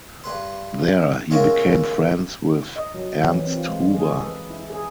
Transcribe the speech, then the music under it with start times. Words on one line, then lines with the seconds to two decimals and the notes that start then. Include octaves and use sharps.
There he became friends with Ernst Huber.
0.24 G2 B4 C6
1.30 G#3 C#4 F4 F#4 A#4 E5
2.76 D#5
2.94 F#3
3.26 E3
3.41 C4
3.55 F4
3.68 G#3
3.95 G#4
4.09 A4
4.23 B4
4.50 E4
4.70 G#4